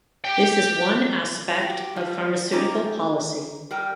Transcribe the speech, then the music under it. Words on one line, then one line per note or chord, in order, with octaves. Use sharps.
This is one aspect of pharmaceutical policy.
G4 G5
F#4 G4
F3 G3
A#3 C#4 D#4 F4 G4 G#4
G3 A#4 G5